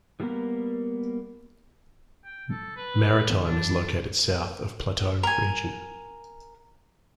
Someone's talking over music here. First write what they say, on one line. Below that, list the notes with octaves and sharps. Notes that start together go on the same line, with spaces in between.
Maritime is located south of Plateaux Region.
E3 G3 A#3 B3 A#4
G5
A4
B4
D#3 B3
E3 F#3 D4
A#4 G#5